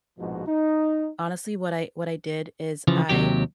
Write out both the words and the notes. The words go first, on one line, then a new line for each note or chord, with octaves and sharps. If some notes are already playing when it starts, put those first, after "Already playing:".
honestly, what I what I did is I
A#1 G#2 B2 F3 F#4
D#4
C#3 E3 F3
D#2 C3 F#3 G4